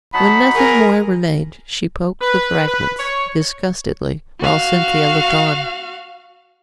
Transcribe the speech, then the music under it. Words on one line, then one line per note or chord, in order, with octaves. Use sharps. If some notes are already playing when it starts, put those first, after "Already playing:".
When nothing more remained, she poked the fragments disgustedly, while Cynthia looked on.
F#3 D#4 F#5 A5 B5
G#4 A#4
B4
B4
C#5
F#4 F5